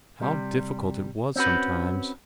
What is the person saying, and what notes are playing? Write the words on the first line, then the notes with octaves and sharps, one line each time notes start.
How difficult it was sometimes.
C3 G3
C4 C#4 F#4 B4